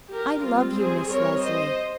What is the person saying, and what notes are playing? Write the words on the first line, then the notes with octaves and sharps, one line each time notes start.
I love you, Miss Leslie.
G4 A#4
G3 C4 F4
G#4 C5
A#4 C#5
C5 D#5